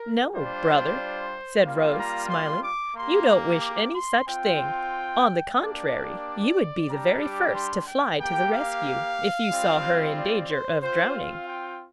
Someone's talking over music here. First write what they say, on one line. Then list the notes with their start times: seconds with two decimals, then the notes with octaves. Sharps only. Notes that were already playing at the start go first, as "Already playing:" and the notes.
"No, brother," said Rose, smiling, "you don't wish any such thing; on the contrary, you would be the very first to fly to the rescue if you saw her in danger of drowning."
Already playing: A#4
0.34 G3 D4 F4 C5
1.65 G3 A#3 F4 F5
1.98 A#5
2.30 C6
2.63 D6
2.96 A#3 G4 C6
3.61 D6
3.94 C6
4.27 C4 F4 G5
5.58 A#3 D4 G4 D5
6.89 G3 D4 G4 A#5
7.21 D6
7.55 C6
7.87 G5
8.20 A#3 G4 G5
8.53 F5
9.52 G3 C4 F4
10.16 D5
10.50 C5
10.82 C4 F4 C5
11.15 F5
11.48 G5